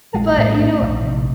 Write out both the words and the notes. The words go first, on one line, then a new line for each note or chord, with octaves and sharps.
but, you know
A#1 G#3
A3
A2 G#3
A2 A3
A#1
C3